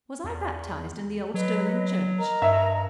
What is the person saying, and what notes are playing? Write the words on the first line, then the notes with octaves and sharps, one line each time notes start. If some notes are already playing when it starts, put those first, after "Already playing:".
Was I baptized in the old Sterling church?
E2
F#3 B4 D#5
A#4 D#5 A#5
G2 E5